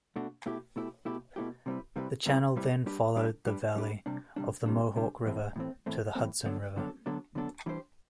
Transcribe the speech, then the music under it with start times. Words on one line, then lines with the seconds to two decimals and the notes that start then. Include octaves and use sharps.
The channel then followed the valley of the Mohawk River to the Hudson River.
0.16 B2 A3 D4 F#4
0.46 B2 A3 E4 G4
0.76 B2 A3 E4 G4
1.05 B2 A3 E4 G4
1.36 B2 A3 E4 G4
1.66 C3 G3 C4 E4 B4
1.96 C3 G3 C4 E4 B4
2.26 C3 G3 C4 E4 B4
2.56 C3 G3 C4 E4 B4
2.86 G3 D4 G4 B4
3.16 G3 D4 G4 B4
3.46 G3 D4 G4 B4
3.75 G3 D4 G4 B4
4.06 C3 G3 D4
4.36 C3 G3 D4
4.66 C3 G3 D4
4.96 C3 G3 D4
5.26 A2 E3 A3 C4
5.56 A2 E3 A3 C4
5.86 A2 E3 A3 C4
6.15 A2 E3 A3 C4
6.46 D3 F#3 B3 D4 A4
6.76 D3 F#3 B3 D4 A4
7.06 D3 F#3 B3 D4 A4
7.35 D3 F#3 B3 D4 A4
7.66 E3 G3 D4 G4 C5